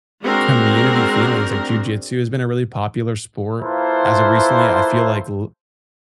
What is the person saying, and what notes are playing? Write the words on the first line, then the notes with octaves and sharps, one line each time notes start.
community feelings, like, Jiu Jitsu has been a really popular sport as of recently, I feel like l
G#3 C4 D4 F#4 A#4
A#3 E4 F4 A4 B4 C5